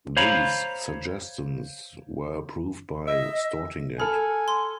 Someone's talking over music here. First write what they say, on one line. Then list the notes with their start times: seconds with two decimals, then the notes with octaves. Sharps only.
These suggestions were approved by Stortinget.
0.17 C5 C#5 F5 A#5 B5
3.07 D#5 E5
4.00 A4 G#5 B5 F6
4.48 C6